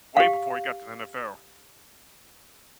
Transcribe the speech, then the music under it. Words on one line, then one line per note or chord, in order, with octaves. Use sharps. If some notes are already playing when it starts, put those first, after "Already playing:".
way before he got to the NFL.
G4 F5